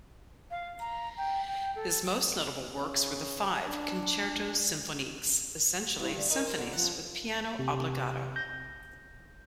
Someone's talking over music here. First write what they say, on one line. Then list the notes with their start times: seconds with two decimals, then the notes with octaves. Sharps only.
His most notable works were the five "concertos symphoniques", essentially symphonies with piano obbligato.
0.51 F5
0.80 A#5
1.17 G5
1.47 G5
1.76 A4
2.74 C#3
3.68 D4
5.99 G2 E4
6.14 D3
6.30 D#4 A#4
6.47 C5
6.58 D3
6.73 F3 F#5
7.59 C3
8.36 G6 A#6